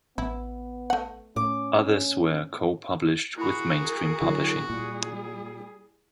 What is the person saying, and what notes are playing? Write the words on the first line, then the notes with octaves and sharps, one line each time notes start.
Others were co-published with Mainstream Publishing.
A1 B3 E4
A3 F#5
A2 C#4 D6
E4 F#4 G#4 A#4 B5
D3 D#3 F#3 E4
A#2 G3 G#4